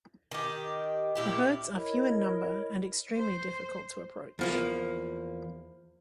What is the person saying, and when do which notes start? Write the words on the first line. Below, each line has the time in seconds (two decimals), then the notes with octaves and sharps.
The herds are few in number and extremely difficult to approach.
0.31 D#3 G4
1.15 A#2 E4 G4
1.74 E4 A#4 C#5 D#5
3.14 C5
4.39 E2 F3 A#3